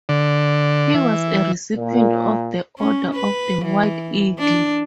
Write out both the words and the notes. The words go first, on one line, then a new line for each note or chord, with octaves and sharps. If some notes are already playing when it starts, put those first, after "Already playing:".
He was a recipient of the Order of the White Eagle.
D3
E3
A#2
C#4
B4
E3
D4